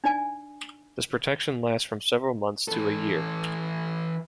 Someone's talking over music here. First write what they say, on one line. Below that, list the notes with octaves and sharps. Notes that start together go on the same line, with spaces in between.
This protection lasts from several months to a year.
D4 D#4 D5 G#5
E3 A4